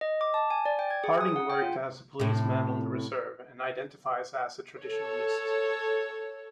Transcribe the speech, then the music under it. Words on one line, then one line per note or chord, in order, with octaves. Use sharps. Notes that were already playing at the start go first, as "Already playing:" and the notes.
Harding worked as a policeman on the reserve and identifies as a traditionalist.
D#5
D6
A5
G#5
D5
G5
G#6
G#4
D#6
F#5
G5
F4
A2 C3
A4 C#5